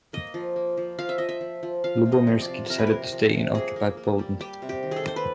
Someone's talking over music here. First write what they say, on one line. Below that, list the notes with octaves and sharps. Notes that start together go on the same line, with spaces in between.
Lubomirski decided to stay in occupied Poland.
A#3 D#5
F3
A#3
F3
F3 F5
E5
F3 D#5
E5
F3
F3
F3 F5
C3
D#5
F3
D5
C3
C3 A#4
B4
C3 A#4
F3
C3
A#3 G#4
A#3
A#3
G3
G3 G4
C3
G4
D#3
G#4 A4
A#3 C5
B4